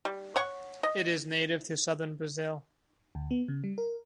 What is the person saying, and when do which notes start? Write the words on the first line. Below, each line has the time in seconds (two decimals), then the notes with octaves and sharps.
It is native to southern Brazil.
0.05 G3
0.36 C#5 F#5 C#6
0.83 D#5
3.15 D2
3.31 B3
3.48 C#3
3.64 G3
3.78 A#4